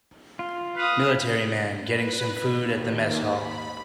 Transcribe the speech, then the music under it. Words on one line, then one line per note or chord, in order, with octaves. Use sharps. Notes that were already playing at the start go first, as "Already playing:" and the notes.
Military man getting some food at the mess hall.
F4
B4 F5 D#6
B4
D#2
B5